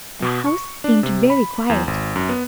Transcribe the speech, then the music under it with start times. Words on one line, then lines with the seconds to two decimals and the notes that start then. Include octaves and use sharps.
The house seemed very quiet.
0.22 B2
0.46 C#6
0.84 D4
1.03 C3
1.30 B5
1.70 E2
1.87 G#1
2.16 F#2
2.29 B3